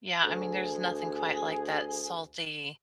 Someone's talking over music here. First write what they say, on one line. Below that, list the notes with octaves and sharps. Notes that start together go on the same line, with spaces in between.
Yeah, I mean, there's nothing quite like that salty,
D2 G#4